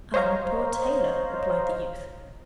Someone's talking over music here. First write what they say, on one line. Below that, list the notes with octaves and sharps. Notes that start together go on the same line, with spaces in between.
'I am a poor tailor,' replied the youth.
C5 C#5 D#5 F5 A#5